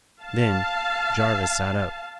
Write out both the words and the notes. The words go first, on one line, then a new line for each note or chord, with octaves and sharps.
Then Jarvis sat up.
F5 A5